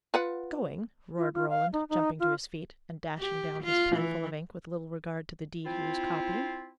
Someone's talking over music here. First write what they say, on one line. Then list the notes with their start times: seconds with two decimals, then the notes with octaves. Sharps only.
"Going!" roared Roland, jumping to his feet, and dashing down his pen full of ink, with little regard to the deed he was copying.
0.14 F4 B4 F#5
1.17 F4
1.34 F4
1.49 F5
1.73 D#4
1.89 D#4
2.20 F4
3.18 G4
3.64 F4
3.96 E3
5.65 C4 E4 F4